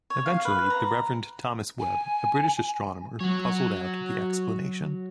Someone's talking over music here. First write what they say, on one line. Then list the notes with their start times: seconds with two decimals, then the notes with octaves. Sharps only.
Eventually the Reverend Thomas Webb, a British astronomer, puzzled out the explanation.
0.10 C#5
0.26 F5
0.45 B4
0.70 A#5
1.80 G#5
3.20 F#3 F#4 C#5